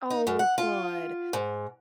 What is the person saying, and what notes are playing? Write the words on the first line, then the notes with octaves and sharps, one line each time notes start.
Oh, good,
D#4
F#2
F#5
F4
G#2